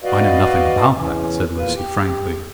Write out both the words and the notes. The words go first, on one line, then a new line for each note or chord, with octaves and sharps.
"I know nothing about that," said Lucy, frankly.
F#4 B4 D5 D#5 F5
E2 E3 C#4
E2 A#2 F4 B4
G4